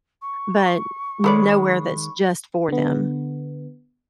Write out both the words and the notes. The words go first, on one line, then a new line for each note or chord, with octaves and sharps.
but n nowhere that's just for them,
C#6
D#3 G#3 A4 B4 C#5 D5 B5
D3 B3